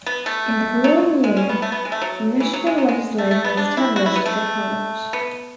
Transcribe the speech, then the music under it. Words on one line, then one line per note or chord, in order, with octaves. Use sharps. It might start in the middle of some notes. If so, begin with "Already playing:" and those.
In the following year the Michigan Legislature established the college.
B3
A3
F#3
G#3
C#4
B3
A3
B3
G#3
A3
F#3
E3
F#3
G#3
F#3
G#3
A3
A3
B3
D4
E4
F#4
E4
B3
A3
B3